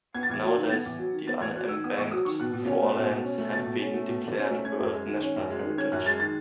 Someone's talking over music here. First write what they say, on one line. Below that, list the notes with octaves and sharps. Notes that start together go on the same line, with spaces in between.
Nowadays the unembanked forelands have been declared world natural heritage.
B3 G#6
A6
E2 G#6
F#3
D#3
B3 A6
E2
F#3
D#3
B3 A6
E2 G#6
F#3 F#6
D#3 E6
B3 D#6
E2 C#6
F#3 D#6
D#3 C#6
B2 F#6
B2
C#4
A3
B2
B2
C#4
A3
B2 A6
B2
C#4
A3
B2
B2
C#4
A3
C#4 G#6
F#2
G#3
D#3
C#4
F#2
G#3
D#3
C#4 G#6
F#2 F#6
G#3 A6
D#3 A6